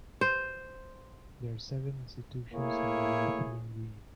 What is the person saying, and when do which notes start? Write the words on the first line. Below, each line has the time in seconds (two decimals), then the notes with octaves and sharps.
There are seven institutions of the European Union.
0.21 C5
2.54 A3 A#3 E4 G#4 C#5